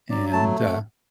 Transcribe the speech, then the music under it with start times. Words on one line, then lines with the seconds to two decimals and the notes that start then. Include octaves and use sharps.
and, uh,
0.10 F#3 D5
0.33 A3 A5